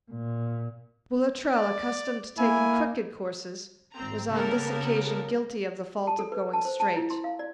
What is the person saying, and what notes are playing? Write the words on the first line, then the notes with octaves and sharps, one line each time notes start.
Boulatruelle, accustomed to taking crooked courses, was on this occasion guilty of the fault of going straight.
A#2
D5
A#3 E4 G#5
G#1 C4 A#5
C#3 A#3 B3 G4 A4 A#4
A5
A4
B4
A5
C5
A5
E4
C6
F5
D5